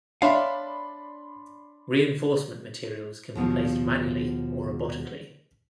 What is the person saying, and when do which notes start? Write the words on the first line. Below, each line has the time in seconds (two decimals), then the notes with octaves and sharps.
Reinforcement materials can be placed manually or robotically.
0.22 D4 C#5 D5 E5 F5 B5 C6
3.35 D#2 B2 D#3 F3